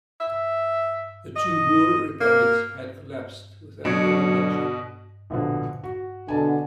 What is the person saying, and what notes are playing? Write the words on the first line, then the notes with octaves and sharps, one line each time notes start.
The two Boer republics had collapsed without any bloodshed.
E5
D#5
A#3
B2 D3 F#3 D4 C#5
A#1 B2 D3
F#4
B2 D3 G#5 A5